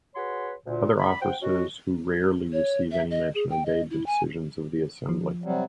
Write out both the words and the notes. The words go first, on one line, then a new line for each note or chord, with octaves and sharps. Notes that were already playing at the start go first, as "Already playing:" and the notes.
Other officers, who rarely receive any mention, obeyed the decisions of the assembly.
F#4 G#4 B4 C#5 C6
D2 A#2
D5 B5
C5 F#5 G5
C#4 D#4 F#4
C#5
E5
D#5
G#4
G5
D#5
E4
G#5
F3
C3 F#3 G3